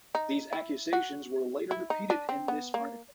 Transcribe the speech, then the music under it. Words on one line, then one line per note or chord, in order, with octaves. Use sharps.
These accusations were later repeated in this article.
D#4
E4
F#4
E4
D#4
D4
C4
B3
A#3